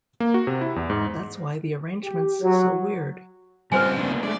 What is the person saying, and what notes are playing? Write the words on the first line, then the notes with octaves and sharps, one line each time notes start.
That's why the arrangement's so weird.
A#3
F#4
C3
E4
E2
G#2
G4
F#3
C#2 G3 C4 F4 B4 C5 G#5
A#3 B3 D4
G#3 A3 D5